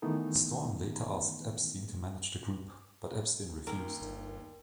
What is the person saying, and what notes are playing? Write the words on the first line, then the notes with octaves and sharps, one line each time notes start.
Storm later asked Epstein to manage the group, but Epstein refused.
D#3 E3 A3 B3 D#4
D#2 A#4
G1